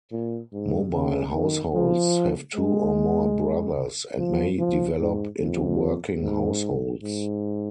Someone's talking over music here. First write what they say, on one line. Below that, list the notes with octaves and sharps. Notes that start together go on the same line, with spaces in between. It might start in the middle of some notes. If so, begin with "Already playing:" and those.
Mobile Households have two or more Brothers, and may develop into Working Households.
A#2
G#2
C#3
D#3
F3
G#3
F3
F3
G#2
F2
G#2
G#2